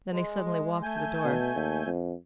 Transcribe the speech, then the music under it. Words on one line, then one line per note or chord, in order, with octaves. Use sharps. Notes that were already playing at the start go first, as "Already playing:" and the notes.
Then he suddenly walked to the door.
G#3
A3 G#5 G6
B2
D#2
F2